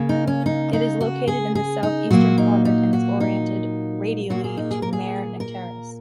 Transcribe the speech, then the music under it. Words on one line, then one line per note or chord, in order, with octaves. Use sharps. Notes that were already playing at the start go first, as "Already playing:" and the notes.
It is located in the southeastern quadrant, and is oriented radially to Mare Nectaris.
Already playing: C#3 A#3
D#4
C#4
D#4
D#4
F#4
G#4
G#4
D#4
A#2 F#3 A#3 F#4
D#4
D#4
F#4
D#4
A#2 A#3 F#4
G#4
D#4
G#4
A#4
G#4
A#4